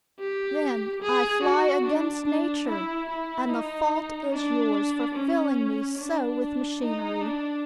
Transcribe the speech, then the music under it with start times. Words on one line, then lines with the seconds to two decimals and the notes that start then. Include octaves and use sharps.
"Then I fly against nature; and the fault is yours for filling me so with machinery."
0.19 G4
1.02 G#4
1.43 F#4
1.84 D4
2.26 D4
2.68 E4
3.09 E4
3.50 D#4
4.32 D4
5.15 C#4
5.98 D4
6.81 D#4
7.21 D4